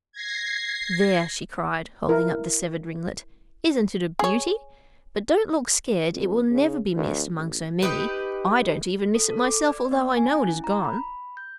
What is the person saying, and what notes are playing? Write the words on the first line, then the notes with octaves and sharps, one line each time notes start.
"There," she cried, holding up the severed ringlet, "isn't it a beauty? but don't look scared, it will never be missed among so many; I don't even miss it myself, although I know it is gone."
G#6 A#6 C7
E4 A#4
G#4 C#5
F2
C#3
D2
A1
D#4 G4 B4
A4
A4
D6
D5
B3
G#5
C#4
E4
A#5
B5
G6